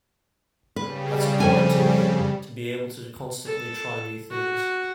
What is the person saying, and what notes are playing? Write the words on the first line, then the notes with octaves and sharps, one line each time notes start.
That's important to me - to be able to constantly try new things.
C#3 G3 B4
F2 G#5
A4
F#4